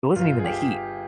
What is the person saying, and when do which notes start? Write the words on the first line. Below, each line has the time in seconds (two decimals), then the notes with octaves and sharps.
it wasn't even the heat.
0.16 G1 F4
0.39 G#4
0.44 G4